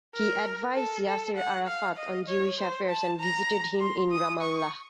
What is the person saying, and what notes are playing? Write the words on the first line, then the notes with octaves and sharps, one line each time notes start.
He advised Yasser Arafat on Jewish affairs and visited him in Ramallah.
A#4
A4
A4
F#5
F5
D#5
C#5
C5
A5
A#5
C6
D#6
C#6